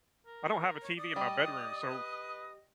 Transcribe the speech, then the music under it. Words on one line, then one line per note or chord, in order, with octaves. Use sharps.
I don't have a TV in my bedroom, so,
A#4
C#5
D5 D#6
G3 D#5
B4